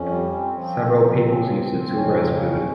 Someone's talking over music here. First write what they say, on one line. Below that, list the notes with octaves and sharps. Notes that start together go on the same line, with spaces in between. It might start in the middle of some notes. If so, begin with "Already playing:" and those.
Several peoples use the tuber as food.
Already playing: F2 C#4
G3
C4
F3 C4
C#3
F3 C4
C#3
C4
C4
F2 C#4
C#3
F2